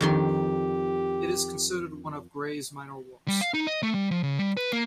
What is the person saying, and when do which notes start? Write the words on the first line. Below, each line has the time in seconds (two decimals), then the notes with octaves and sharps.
It is considered one of Gray's minor works.
0.01 F2 D#3 G4 C6
3.28 G3
3.41 F5
3.54 D#4
3.67 D#5
3.83 A3
3.94 G3
4.11 F3
4.23 C#3
4.38 G3
4.57 B4
4.73 A#3